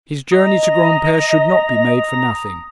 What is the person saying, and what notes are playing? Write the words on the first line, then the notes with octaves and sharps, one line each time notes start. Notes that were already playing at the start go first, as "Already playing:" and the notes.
His journey to Granpere should not be made for nothing.
D#5 A#5 D#6